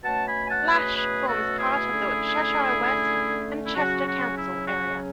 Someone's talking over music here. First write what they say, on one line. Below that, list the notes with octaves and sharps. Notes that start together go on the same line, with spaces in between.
Lache forms part of the Cheshire West and Chester council area.
B2 A3 C#4 F#5 A5
G#5 B5
G#5
F#5 A5
G#4 B4
G#4 B4
F#4 A4
E4 G#4
D3 A3 C#4
E4
C#3 F#3 C#4 F#4
F#4
E4
F#4